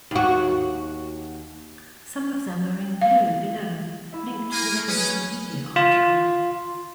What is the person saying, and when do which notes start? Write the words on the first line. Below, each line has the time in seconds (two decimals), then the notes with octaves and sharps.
Some of them are in blue below, linked to their Wikipedia article.
0.11 D#2 F#4
3.01 F5
4.13 E4 E5
4.51 A#3 G#5
4.88 F#3 C#4 G#4 B4
5.76 F4